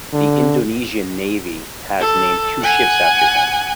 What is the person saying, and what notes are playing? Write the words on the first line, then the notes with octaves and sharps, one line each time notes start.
The Indonesian Navy has named two ships after him.
D3
A4
F#5 G#5